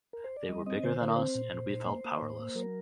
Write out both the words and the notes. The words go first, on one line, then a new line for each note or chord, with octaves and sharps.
They were bigger than us and we felt powerless.
A#4
C5
D5
G3 D#5
C4 D#5
D3 C5
D3 C5
A#4
C4 C5
A#2
A#2
A#2
A#3
A#3
A2
A#3
F#3 A#4